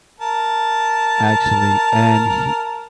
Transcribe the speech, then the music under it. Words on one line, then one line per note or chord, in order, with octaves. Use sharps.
actually, and he
A#4 A5